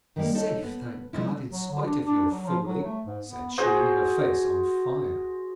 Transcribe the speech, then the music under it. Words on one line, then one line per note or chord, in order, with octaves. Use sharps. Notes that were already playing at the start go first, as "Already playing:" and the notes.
"Safe, thank God, in spite of your fooling!" said she, her face on fire.
D#3 G3 G#3 A#3 G4
D#4 A4 C#5
B3
F3 G3 G#3 D#4 E4
F#3
D3
D4
D4
F#3
F3
F#3
A3
G#2
B3
F#4 G#4 C5